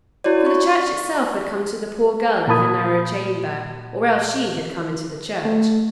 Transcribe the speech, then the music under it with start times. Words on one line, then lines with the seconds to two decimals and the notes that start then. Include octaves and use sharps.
For the church itself had come to the poor girl in her narrow chamber, or else she had come into the church.
0.24 E4 F#4 C#5 D5
0.47 C#6
2.47 A#2 A#4 A5 B5 D#6 G#6
5.45 A3